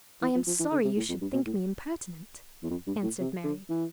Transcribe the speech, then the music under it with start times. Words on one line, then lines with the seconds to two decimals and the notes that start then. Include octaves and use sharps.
"I am sorry you should think me impertinent," answered Mary.
0.22 E3
0.35 F3
0.47 F3
0.60 E3
0.72 D3
0.84 C3
0.97 A2
1.09 F2
1.21 G2
1.33 B2
1.46 A2
2.63 E2
2.70 F2
2.87 G2
3.03 A2
3.20 C3
3.44 D3
3.70 E3